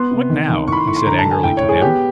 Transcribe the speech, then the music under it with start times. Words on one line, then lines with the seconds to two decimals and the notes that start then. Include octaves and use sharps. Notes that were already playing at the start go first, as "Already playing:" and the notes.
"What now?" he said angrily to them.
Already playing: B3 C6
0.11 C3
0.29 D#3
0.49 D#3
0.67 A2 B5 C#6
0.77 C6
0.87 A2 C#6
0.96 C6
1.06 D3 A#5
1.18 A5
1.25 D3
1.31 G#5
1.43 A2 G5
1.57 C#5
1.62 A2
1.69 G#4
1.82 B3 G4